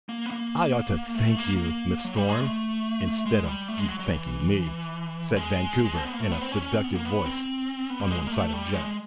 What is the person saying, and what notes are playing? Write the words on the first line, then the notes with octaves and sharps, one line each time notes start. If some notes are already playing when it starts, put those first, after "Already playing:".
"I ought to thank you, Miss Thorn, instead of you thanking me," said Vancouver, in a seductive voice, on one side of Joe.
A#3
B3
A#3
A3
A#3
A#3
F#3
G3
G#3
A3
G#3
G3
A3
G#3
F#3
F#3
E3
G#3
C4
B3
A#3
A3
B3
C4
C#4
C#4
C4
B3
A#3
B3
C4
B3
G3
G#3
G#3
A#3
A3
G3
G#3
G#3